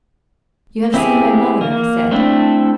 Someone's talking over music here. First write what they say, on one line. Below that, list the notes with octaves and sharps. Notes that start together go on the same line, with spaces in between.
"You have seen my mother," I said.
C4 E4 G4 G#4
A#3
A3 C4 D4 E4 A4